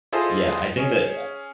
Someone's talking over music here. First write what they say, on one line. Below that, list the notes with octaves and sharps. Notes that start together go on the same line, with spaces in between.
Yeah, I think that a
E4 F4 G#4 A4 C5 D#5
C#4 G#4